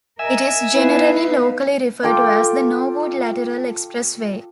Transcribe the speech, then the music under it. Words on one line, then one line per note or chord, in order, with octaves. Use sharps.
It is generally locally referred to as the Norwood Lateral Expressway.
A#4 D#5 E5 G#5 E6
B3 D#4 E4 B4 F5
F4 A4 G5 D6